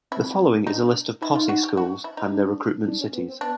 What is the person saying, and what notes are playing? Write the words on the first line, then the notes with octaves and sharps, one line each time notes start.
The following is a list of the Posse schools and their recruitment cities.
C4 E4
D4 D#4
D#4 E4
F4
F#4
G4
F#4
E4
D#4
D4
D4
C#4
B3
C4
B3 D4